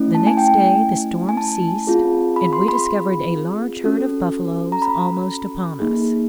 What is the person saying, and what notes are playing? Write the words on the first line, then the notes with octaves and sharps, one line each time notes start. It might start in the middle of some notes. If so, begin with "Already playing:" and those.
The next day the storm ceased, and we discovered a large herd of buffaloes almost upon us.
Already playing: A3 C#4 E4
A5
G#5
G5
G#5
G#5
A5
C4 F4 G#4
B5
C6
B5
C#4 F#4 A4
A#5
B5
A#3 D#4 G#4